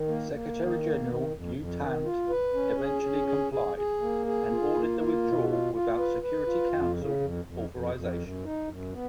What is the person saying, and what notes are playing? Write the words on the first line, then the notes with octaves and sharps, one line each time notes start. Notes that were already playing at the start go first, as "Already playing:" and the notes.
Secretary-General U Thant eventually complied and ordered the withdrawal without Security Council authorisation.
Already playing: D#3
A#3
A#3
D#3
A#3
D#3
F2
F2
D#3
F4
B4
C#4
G#4
C#4
G#4
G#4
G#4
A#3
G#4
F4
A#3
F4
B2
F4
F4
B4
B4
F4
F2
C#3
F2
F2
F2
F2
F#2
D#4
F#2
B3